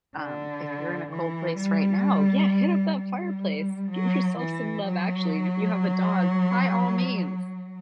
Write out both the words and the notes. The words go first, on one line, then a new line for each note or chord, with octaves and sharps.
um, if you're in a cold place right now, yeah, hit up that fireplace, give yourself some Love Actually, and if you have a dog, by all means,
D3
E3
G3
G3
F#3
E3
F#3